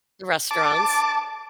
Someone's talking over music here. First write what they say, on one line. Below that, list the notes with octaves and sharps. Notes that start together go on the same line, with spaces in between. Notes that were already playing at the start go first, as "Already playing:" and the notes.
The restaurants.
A5 D6